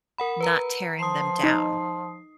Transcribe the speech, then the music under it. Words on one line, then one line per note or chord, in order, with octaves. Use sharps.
not tearing them down.
A#4 F#5 B5
B4 A#5
F3 D#6 C7
D#4